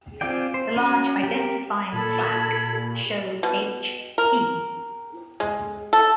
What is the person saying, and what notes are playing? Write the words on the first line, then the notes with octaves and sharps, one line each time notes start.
The large identifying plaques show "H P".
C4 F4 G#4 D5 G5
C5
C#4 F#4
G4 A#4
A#2 A4 B5 G#6
B2
A#4
G#3
A4